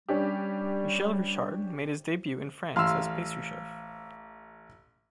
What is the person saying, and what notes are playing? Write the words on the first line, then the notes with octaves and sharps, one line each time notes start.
Michel Richard made his debut in France as pastry chef.
G3 C#4 D4 G4
A1 F5 C6 E6 F6